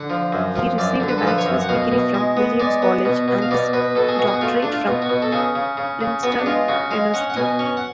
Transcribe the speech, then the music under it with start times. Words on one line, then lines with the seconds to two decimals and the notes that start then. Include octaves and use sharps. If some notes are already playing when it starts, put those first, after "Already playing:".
He received a bachelor's degree from Williams College, and his doctorate from Princeton University.
Already playing: D3 F#5
0.10 F3
0.32 F#2
0.56 F3
0.78 F#2 D5
1.00 D3
1.08 B4
1.18 A4
1.23 F3 B4
1.38 C#5
1.46 F#2
1.62 F#5
1.69 B2 F5
1.92 B2
2.14 G#3
2.37 B3
2.60 G#3 D5
2.82 B3
3.05 B2
3.28 B2
3.42 F5
3.51 B2 D5
3.73 B2 B4
3.95 B2 A4
4.09 G#4
4.19 B2 F#4
4.27 G#4
4.34 F#4
4.41 A3 F4
4.63 A3 D4
4.72 F4
4.87 B2
5.02 F#4
5.09 B2
5.22 A4
5.32 C#3 G#4
5.55 C#3
5.77 C#3
6.01 C#3
6.23 B3 F#4
6.39 D4
6.46 G#3 F4
6.68 C#3 F#4
6.91 G#3 F5
7.14 C#4 F#5
7.30 F#5
7.36 B2 G#5
7.59 C#4 C#6
7.77 F#5